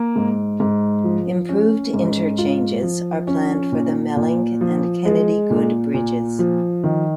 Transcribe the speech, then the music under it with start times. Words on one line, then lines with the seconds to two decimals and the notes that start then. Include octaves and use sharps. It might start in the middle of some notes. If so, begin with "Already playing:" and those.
Improved interchanges are planned for the Melling and Kennedy-Good bridges.
Already playing: A#3
0.16 G#2
0.60 G#2
1.04 F3
1.49 C#4
1.94 G#2
2.38 F4
2.83 F3
3.27 C#4
3.72 A#2
4.16 A#2
4.61 F3
5.05 G#3
5.50 A#2
5.94 A#2
6.39 F3
6.84 D#3